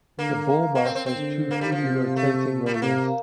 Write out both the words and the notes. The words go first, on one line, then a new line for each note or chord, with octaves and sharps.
The ball mouse has two freely rotating rollers.
D3 A#3
A#3
C4
C4
C4
D3
A#3
G3
F3
C3
A3
G3
A3
C3 A#3